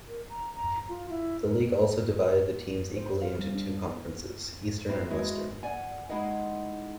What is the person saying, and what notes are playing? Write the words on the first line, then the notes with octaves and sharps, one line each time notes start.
The league also divided the teams equally into two conferences - Eastern and Western.
A#4
A#5
A#5
F4
E4
A#4
C5
F5
G3
D4
F#3 G3 C4 E4
G#3 E4 F#4 G#4
D5 F#5 G#5
G#3 D#4 E4 G#4 D#5 F#5